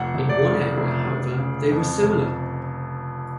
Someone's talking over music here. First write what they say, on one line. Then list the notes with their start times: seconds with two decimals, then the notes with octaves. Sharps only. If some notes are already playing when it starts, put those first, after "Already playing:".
In one area however they were similar.
Already playing: F1 F#5
0.15 F1
0.29 D5
0.46 C#3
0.78 F1
1.08 F1
1.40 C#3
1.71 F2
2.03 F1